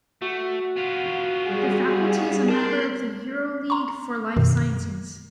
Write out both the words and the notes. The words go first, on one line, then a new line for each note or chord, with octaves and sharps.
The Faculty is a member of the Euroleague for Life Sciences.
A3 F#4
B3 F4
G3 G#4
A#4 D5 A5 C6 G6
A#5 C6 C#6
F#2 B2 D#3